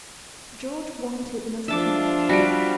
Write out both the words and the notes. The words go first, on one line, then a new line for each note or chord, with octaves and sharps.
George wanted no second order.
F3 D4 F4 E5 A5 D6
G3 F#4 D7